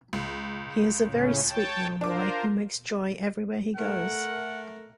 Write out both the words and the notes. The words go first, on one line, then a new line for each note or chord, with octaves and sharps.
He is a very sweet little boy who makes joy everywhere he goes.
C#2
A2 C#3 C#4
C#5 G5 A5
D4 F4 A#4 C5 D6
A3 A#4 F#5